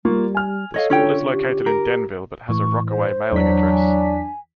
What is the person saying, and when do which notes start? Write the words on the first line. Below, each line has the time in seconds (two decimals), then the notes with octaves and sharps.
The school is located in Denville but has a Rockaway mailing address.
0.05 G3 A#3 F4 C#6
0.35 G#5 F6
0.74 A4 C#5 D#5 F5
0.90 D3 C#4 D4 F4 C#5 G5
1.30 G4
1.66 A#4
2.49 A2 E3 C#6
2.90 C5
3.32 E2 E3 F#3 D4 B6
3.70 G#5